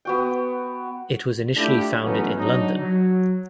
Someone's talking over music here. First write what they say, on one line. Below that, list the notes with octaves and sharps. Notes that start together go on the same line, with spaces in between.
It was initially founded in London.
B3 F#4 G5
A3 D4 E4 F4 G4
E3 F#3 A3 B3 C#4 D#4
F#3 D4 D#4
F#3